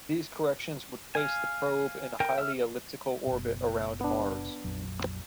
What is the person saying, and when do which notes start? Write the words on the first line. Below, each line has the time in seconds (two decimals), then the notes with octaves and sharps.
These corrections would place the probe in a highly elliptical orbit around Mars.
1.15 F5 G#5
2.20 A#4 G5
2.38 E5 E6 F6
3.27 F#1 B2
4.01 B3 D4
4.64 A#1 F2 F#3